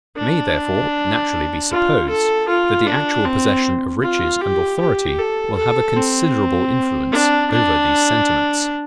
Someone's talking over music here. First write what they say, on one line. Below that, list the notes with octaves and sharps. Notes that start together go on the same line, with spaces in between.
It may, therefore, naturally be supposed, that the actual possession of riches and authority will have a considerable influence over these sentiments.
D4
F4
A4
F4
D4
C4
F4
G4
G4
A4
A4
C4
D4
D4